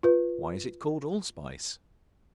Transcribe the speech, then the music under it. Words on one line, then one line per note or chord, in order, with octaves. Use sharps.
Why is it called Allspice?
F4 B4